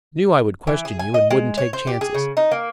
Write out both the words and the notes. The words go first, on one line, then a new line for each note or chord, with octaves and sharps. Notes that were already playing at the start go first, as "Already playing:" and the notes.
Knew I would question you and wouldn't take chances.
E3
G#4
G#5
D#5
G#3
C#5
C5
G4
G#4
C#3
D#4
A#3